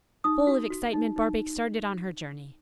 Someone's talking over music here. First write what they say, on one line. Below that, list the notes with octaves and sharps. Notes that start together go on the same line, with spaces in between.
Full of excitement, Barbaik started on her journey.
D#4 D#6
F#4
F#4
D#4
D#4